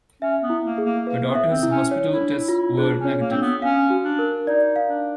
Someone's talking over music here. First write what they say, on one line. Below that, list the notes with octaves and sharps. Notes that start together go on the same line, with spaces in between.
Her daughter's hospital tests were negative.
C#4 E5
B3
E4
A#3
G#4
A#3
A#3 B4
B3
E5
C4
E4
C#4
C#5
E4
D4
E4
F4
E4
D4 G#4
C#4
C#5
A#3
C4 D4
B3
C#4 F5
F#4
D4
A#4
D#4 D5
F5
D4